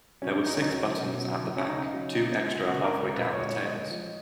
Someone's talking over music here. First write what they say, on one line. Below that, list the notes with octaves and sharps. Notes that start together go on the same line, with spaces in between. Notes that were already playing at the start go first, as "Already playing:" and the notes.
There were six buttons at the back, two extra halfway down the tails.
F#3 C#4
F#3 D#4
C#4
D#4
F#3 C#4
B2
F#3
F#3
C#4
C#3 D#4
F#3
C#3
G#3
C#3 F#4
A#4
G#3
A#4
A#2 B4
C#5
G#3
C#5
G#3 D#5
F3